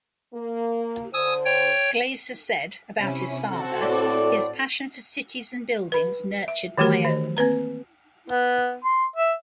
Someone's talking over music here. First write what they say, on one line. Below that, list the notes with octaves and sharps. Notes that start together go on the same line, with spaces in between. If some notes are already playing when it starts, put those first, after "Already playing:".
Glaeser said, about his father, "His passion for cities and buildings nurtured my own".
A#3
D3 C5 G#5 D#6 E6
C#5 G5
C3 C#4 E4
C4 F#4 A4
A2 D5
B4 B5
E5
D#3 E3 A3 F#4 G4 A#4
D#3
A#3 C4 B4 A#5
B3
C6
E5